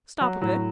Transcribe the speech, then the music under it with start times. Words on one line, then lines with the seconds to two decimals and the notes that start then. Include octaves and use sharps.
'Stop a bit.
0.21 F#3
0.42 A2 F#3